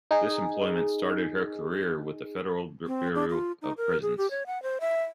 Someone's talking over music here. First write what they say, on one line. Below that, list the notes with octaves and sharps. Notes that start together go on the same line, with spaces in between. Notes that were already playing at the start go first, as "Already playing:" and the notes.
This employment started her career with the Federal Bureau of Prisons.
D#4 G#4
C4
D4
F4
D#4
A#4
G#4
G4
C#5
F#5
C5
E5